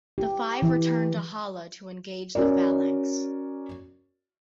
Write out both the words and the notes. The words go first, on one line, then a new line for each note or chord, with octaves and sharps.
The five return to Hala to engage the Phalanx.
G4
E3
C#4 F#4 A#4 D5